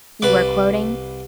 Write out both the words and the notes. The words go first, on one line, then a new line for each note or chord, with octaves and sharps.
"You are quoting?"
C2 B4 D5